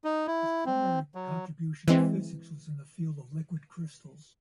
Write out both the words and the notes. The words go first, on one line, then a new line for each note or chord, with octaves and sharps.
His primary contribution to physics was in the field of liquid crystals.
D#4
E4
C4
F#3
E3 G#3 C4